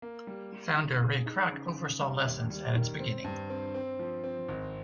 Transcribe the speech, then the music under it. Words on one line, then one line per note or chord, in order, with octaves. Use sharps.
Founder Ray Kroc oversaw lessons at its beginning.
A#3
G3
G3
D#4
G#4
D#4
C#3
C#3
G3
D#2
G3
D#3
C4
G2
C4
C4
F3
C4
G#1